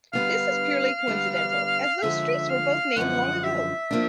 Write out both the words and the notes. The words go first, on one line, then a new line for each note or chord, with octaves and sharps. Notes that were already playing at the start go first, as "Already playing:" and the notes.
This is purely coincidental, as those streets were both named long ago.
D3 G3 B3 D4 F5
D3 G3 B3 D4
F#2 D3 F3 G#3 E5
F5
F#2 D3 F3 G#3 F#5
E5
F3 A#3 D4